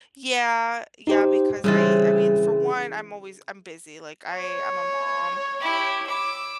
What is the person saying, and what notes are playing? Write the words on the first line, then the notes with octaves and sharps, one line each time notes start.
Yeah. Yeah, because I I mean, for one, I'm always I'm busy. Like, I I'm a mom,
D#4 G4 C5
C#3 E3 G3 C4 A6
C#5
E4 G4
D6 E6